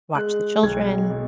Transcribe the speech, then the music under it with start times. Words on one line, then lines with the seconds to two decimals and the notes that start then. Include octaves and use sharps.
to watch the children
0.15 G#3 F#6
0.63 B1 G#6
1.10 B2